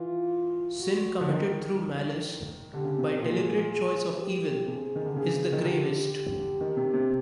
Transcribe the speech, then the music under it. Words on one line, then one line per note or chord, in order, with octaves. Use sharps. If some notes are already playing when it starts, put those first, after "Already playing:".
Sin committed through malice, by deliberate choice of evil, is the gravest.
Already playing: E3 F4
F#4
D3
D#3
D3 G4
C#3
C3
B2
A#2 G#4
G4
C3 G#4
D#3
D3
C#3 G#4
D#3
D3 G4
G4
D#3
C3
C3